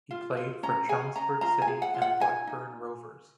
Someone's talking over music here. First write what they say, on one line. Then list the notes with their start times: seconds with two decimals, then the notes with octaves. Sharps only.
He played for Chelmsford City and Blackburn Rovers.
0.11 F4
0.37 F4
0.63 C#4 A#5
0.89 G#4 G#5
1.15 C#4 A#5
1.41 F4 A#5
1.62 G#5
1.67 G#4
1.82 F#5
1.94 F4
2.02 F#5
2.20 D#4 G#5
2.47 D#4